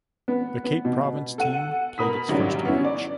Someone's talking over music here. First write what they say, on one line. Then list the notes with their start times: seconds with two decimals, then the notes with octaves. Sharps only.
The Cape Province team played its first match.
0.28 B3
0.64 B3
0.85 B2
1.38 A4 F#5 D#7
1.98 B2 A#4 B5 D#6 B6
2.29 G#1 C#3 F#3 G3 D4
2.65 B3 C#4 E4
2.85 D5